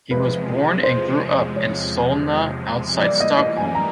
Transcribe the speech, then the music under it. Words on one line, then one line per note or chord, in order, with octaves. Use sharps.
He was born and grew up in Solna outside Stockholm.
E2 C3 F3 G#3 B4
C5
C#5
E3 G3 A#3 D5
D#5
D#5
G#5
A#5